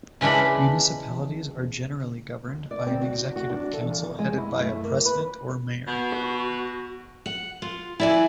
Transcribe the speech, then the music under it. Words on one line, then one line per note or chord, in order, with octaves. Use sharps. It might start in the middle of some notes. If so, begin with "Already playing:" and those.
Municipalities are generally governed by an executive council headed by a president or mayor.
C#3 E3 G#3 D4 B5
D5
C4
F#4
F#4
D4
A4
A#2
G#3
E4
A3
A#3
B4
B2
F#4
F#5
F4
E4 D5 G#5